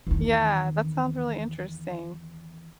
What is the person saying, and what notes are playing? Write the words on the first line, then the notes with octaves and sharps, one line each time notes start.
Yeah, that sounds really interesting.
E2 D#3